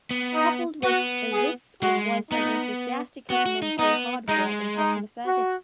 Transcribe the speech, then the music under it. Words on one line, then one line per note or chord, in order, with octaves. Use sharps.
Coupled with this was an enthusiastic commitment to hard work and customer service.
B3
D#4
B3 F#4
G#4
G#3 F#4
B3 D#4
B3 F#4
F#4
D#4
B3 D#4
G#3 D#4
D#4
F#4